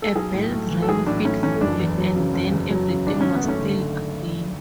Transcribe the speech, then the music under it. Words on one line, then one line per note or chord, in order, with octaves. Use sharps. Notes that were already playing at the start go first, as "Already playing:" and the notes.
A bell rang fitfully, and then everything was still again.
A4
B1 G#4
A2
A3
E3
A4
B1 G#4
A2 D4
A3 C#4
E3 C#4
F#1 D4
E2
F#3
C#3
F#1
E2
F#3
C#3
G#1 D4
F#2 C#4
B3
A3
C#4
D3